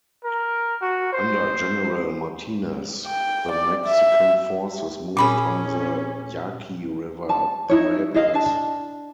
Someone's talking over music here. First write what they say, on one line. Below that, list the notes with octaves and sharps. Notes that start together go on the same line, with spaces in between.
Under General Martinez, the Mexican forces moved on the Yaqui River pueblos.
A#4
F#4
C5
G5
D5
E5
A#2 C#4 G#4 B5 D6
A5
D#4 E4 C#5
E4 G#4 D#5 F5
D4 A5